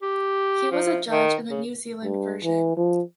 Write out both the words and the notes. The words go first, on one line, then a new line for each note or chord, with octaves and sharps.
He was a judge in the New Zealand version.
G4
F3
D#3
C#3
G2
E3
F3